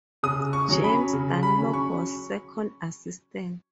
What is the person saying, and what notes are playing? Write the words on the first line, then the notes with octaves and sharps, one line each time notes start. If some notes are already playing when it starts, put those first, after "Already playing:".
James Dunlop was second assistant.
C#3 D#6
C#6
F#3 C#4
B5
C#3
B5
F#3 C#4
C#6